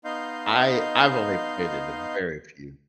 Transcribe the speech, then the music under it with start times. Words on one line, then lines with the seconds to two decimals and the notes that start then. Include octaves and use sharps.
I I've only played it a very few
0.05 B3 D#4 D#5 F5 C6 G6